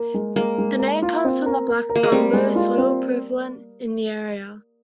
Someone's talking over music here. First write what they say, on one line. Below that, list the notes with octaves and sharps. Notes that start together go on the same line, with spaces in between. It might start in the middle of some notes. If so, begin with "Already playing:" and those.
The name comes from the "black gumbo" soil prevalent in the area.
Already playing: A#3 A#4
G#3
G#3 A#3
G#3
A#4
F4
C4
A#4
A#4
A#4
A#3
G#3
G3 C4
G#3
F4
C4